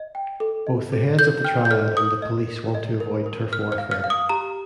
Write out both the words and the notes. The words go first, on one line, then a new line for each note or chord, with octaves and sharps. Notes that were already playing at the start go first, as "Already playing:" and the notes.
Both the heads of the Triad and the police want to avoid turf warfare.
Already playing: D#5
G5
A4
D#5
A4
A4 G6
G5 F6
G6
A4 F6
A#4 D#6
D#5
A#4
D#5
A#4
A#4
A#4 F6
F6
F5
F6
F5
D#6
G4 A#5